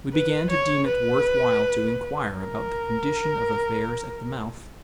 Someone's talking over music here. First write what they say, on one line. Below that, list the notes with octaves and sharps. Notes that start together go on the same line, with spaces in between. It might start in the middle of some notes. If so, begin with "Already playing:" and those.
We began to deem it worth while to inquire about the condition of affairs at the mouth.
B4
C#5
B4
A#4